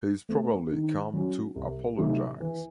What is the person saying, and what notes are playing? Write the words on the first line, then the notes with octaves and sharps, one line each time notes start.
He's probably come to apologise.
A3 C4
D#3
F#3 C#4 F#4
C2
C3 F#3 A3 D#4
E3